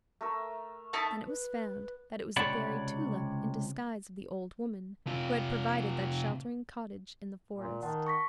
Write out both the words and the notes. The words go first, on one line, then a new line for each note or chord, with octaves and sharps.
Then it was found that it was the Fairy Tulip in disguise of the old woman who had provided that sheltering cottage in the forest.
A3 A#4 E6
D#4 E4 A4 A5
B4
C#2 C3 C#5 D5 F#5 B5
C3 F4
A#2
D#3 F#5 A5
C#6 A#6 B6